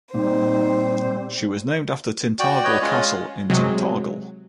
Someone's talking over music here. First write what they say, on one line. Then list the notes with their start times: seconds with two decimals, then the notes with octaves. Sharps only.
She was named after Tintagel Castle in Tintagel.
0.14 A#2 G3 C4 D#4 C5
2.39 F#4 D5 G5
2.64 B4 C#5 D#5
2.82 G#3 C#4 F4
3.50 C3 F#3 G#3